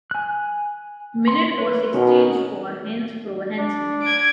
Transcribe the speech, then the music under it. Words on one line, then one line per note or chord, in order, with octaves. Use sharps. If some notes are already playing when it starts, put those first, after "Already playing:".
Minute was exchanged for Hans Fróði Hansen.
G#5 F#6
C6
B4 C#5
B2 C#4 D#4 A#4
D4
G#6 D7